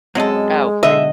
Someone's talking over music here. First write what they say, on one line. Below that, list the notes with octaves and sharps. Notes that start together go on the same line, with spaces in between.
Oh, please.
F#2 F#3 G#3 C4 A4 D#5
B1 D3 D#5 E5